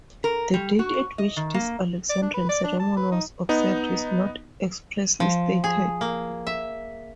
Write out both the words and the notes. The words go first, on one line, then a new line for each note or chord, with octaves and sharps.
The date at which this Alexandrian ceremony was observed is not expressly stated.
A#4
G3
F#4
D#5
D#3
A#3
D5
D4
B4
D5
D4
A5
B4
D#4
B3 D#4
F3
G#4
A#3
E5